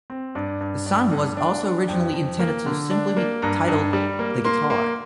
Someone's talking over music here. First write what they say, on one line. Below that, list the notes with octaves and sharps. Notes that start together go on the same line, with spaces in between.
The song was also originally intended to simply be titled "The Guitar".
C4
G2 D5
G2
G2 D5
G2
D4
D4
F2 G5
F2
A#3
D3
D4
A#3
G2 A#5
G2
G3
A#3
A#3 C6
A#3